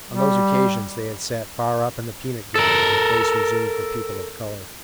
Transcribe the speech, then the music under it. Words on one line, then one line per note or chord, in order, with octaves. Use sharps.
On those occasions they had sat far up in the peanut gallery in the place reserved for people of colour.
G3
A4 A#4